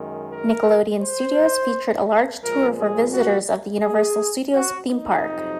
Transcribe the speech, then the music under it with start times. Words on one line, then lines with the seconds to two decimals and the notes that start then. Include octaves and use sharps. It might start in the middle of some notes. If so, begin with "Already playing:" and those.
Nickelodeon Studios featured a large tour for visitors of the Universal Studios theme park.
Already playing: F#2 D#3 G#3
0.30 A#4
1.01 C5
2.42 A#2 F3 G#3 A#4
2.78 G#4
3.12 F#4
3.82 G#4
4.53 F#4
4.89 D#4
5.23 F2 C3 F#3